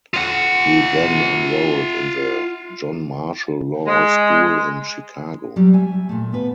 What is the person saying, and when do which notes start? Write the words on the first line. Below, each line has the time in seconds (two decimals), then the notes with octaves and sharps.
He then enrolled in the John Marshall Law School in Chicago.
0.14 F4 F#5
3.85 G#3
5.56 F#3 G3 G4
5.73 E5 G#5
6.09 A#2 A3
6.33 B3 B4